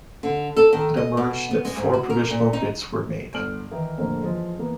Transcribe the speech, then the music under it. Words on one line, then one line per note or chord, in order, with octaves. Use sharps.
It emerged that four provisional bids were made.
D3
A4
D#3
D#5
B2
B3
G#3
G#2
F#4
A#4
A#2
D#4
G1 F6 D7 F#7
D#3 E3 D#4 E4 A#4
F2 A2 D3 A#3 C4
E3 F3 G#3
E3 A#3 B3